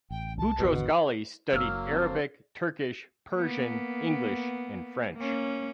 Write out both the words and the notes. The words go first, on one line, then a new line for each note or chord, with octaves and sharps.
Boutros Ghali studied Arabic, Turkish, Persian, English and French.
A1 G5
C2 A5
G#1 E2 B2
D3 F#5
F#1 F#3 A#3 E6 F6
C4 A4 C5
A#3 B3
A#3 C#4